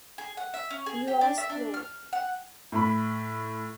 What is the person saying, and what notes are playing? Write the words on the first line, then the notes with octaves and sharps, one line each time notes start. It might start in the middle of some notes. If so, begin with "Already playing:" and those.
You are slow!
G#4
F#5
E5
C#4
G#4
G4
D4
E5
D4
F6
F#5
A2 B5